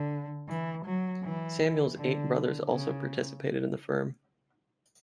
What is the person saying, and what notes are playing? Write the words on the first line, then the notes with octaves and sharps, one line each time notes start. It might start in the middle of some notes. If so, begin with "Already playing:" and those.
Samuel's eight brothers also participated in the firm.
Already playing: D3
E3
F#3
E3
D3
C#3